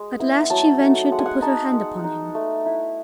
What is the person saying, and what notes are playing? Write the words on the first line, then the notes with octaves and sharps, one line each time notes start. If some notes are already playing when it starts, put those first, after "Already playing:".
At last she ventured to put her hand upon him.
Already playing: G#3
B3 E4
F#3 A5
A3 D#4
G#3 F#5
G#5
F#5
D#4 A5
G#3
D#4
A3
E4